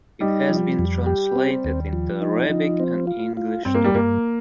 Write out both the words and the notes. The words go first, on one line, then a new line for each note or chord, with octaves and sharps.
It has been translated into Arabic and English too.
G3 D#4
F3
F2
G4
C4
D#2
F3
D#4
F3
C4
F4
F4
G2 C4
A#3
G3
G2 A#3